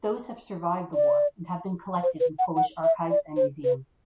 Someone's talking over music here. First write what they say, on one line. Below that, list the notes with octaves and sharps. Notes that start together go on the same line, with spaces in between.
Those have survived the war and have been collected in Polish archives and museums.
D5
C5
B4
F#5
F#5
E5
D5
C5
B4